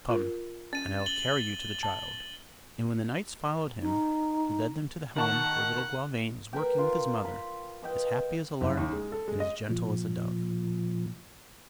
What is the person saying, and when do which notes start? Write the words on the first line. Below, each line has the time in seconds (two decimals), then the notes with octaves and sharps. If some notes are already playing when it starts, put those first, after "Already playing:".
"Come, and I will carry you to the child!" And when the knights followed him, he led them to the home where little Gauvain was working with his mother, as happy as a lark and as gentle as a dove.
0.09 F4 A#4
0.73 C#4 A6 D#7
1.06 F#7 G7
1.83 A5
3.82 D#4
5.16 D#3 F#5 A5 C#6
6.53 A#4 B4 G5
6.78 F4
7.25 B5
7.82 B4 D#5 G5
8.61 F#1
8.78 D#2
8.93 G#3
9.12 A4
9.28 G#3
9.40 D#5
9.70 A#2 F3